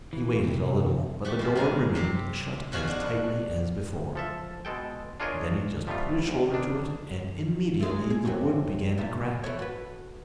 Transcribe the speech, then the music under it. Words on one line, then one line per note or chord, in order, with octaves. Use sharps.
He waited a little, but the door remained shut as tightly as before. Then he just put his shoulder to it, and immediately the wood began to crack.
E3
C3
A3 F#4 G4
B2 F3
F#2 G#3 D#4 D#5
C3 G4
B2 F3 F#4 G#4
D4 F#4
F3 A4 E5
B2 G#3 A4 G5
D4 F4 G#4 A#4 C#5 D#5
F3 G3 A3 B3 D#4 F4
D2
D#3 D4
G#3 A3
G#4
F#2 C3 F#4
E2 A#2 E5
E3 A3 C#5
F#4 B4